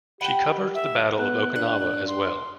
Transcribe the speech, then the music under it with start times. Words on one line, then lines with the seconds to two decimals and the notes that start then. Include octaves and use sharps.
She covered the battle of Okinawa as well.
0.21 G4 F#5 G5 B5
0.75 E5
1.19 B3 F#6
1.56 D4 F#5
2.08 C6